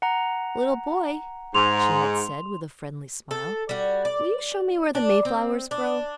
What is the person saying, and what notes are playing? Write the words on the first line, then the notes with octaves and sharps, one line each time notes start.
"Little boy," she had said, with a friendly smile, "will you show me where the mayflowers grow?"
F#5 A#5
G#2 C6 F7
A4
G3 F#4
D5
D4
C4
D4